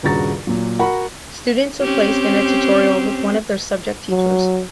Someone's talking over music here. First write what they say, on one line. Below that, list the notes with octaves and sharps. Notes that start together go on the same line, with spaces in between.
Students are placed in a tutorial with one of their subject teachers.
D#1 G2 C#3 F#4 A#5 A6
A#2 F#3
F#4 A#4 F#5 B5
C4 C#4 G4
F#3